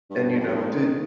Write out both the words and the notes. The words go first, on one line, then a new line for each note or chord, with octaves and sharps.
and, you know, the eh,
G2
G2
F2
G2
G#2
D#3